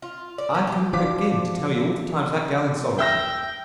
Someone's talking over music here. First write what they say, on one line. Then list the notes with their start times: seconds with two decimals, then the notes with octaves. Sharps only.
I couldn't begin to tell you all the times that girl insulted me.
0.02 F4
0.38 D5
0.55 B2
0.67 G4
0.93 F3 F#4 D5 F5 D6 B6
2.99 E5 G5 E6 A#6